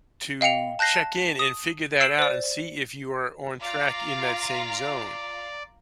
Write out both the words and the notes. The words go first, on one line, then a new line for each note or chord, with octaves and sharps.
to check in, and figure that out, and see if you are on track in that same zone,
D#5 F5 G5 C#7 F7
A5 F#6 G6 A#6 C7
A5
D#6
E6 C7 D7 E7 F#7
C5 D5
F4 D5 F5 A#5